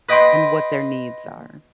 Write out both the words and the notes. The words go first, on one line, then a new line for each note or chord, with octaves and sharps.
and what their needs are.
B4 D#5 G5 B5 C6